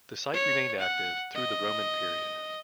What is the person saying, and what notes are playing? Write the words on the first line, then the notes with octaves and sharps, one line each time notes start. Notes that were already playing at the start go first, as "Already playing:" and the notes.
The site remained active through the Roman period.
C#5
F#5
D#5